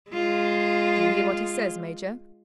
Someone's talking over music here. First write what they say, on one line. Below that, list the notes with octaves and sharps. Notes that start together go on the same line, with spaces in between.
"Do you hear what he says, major?"
G#3 F4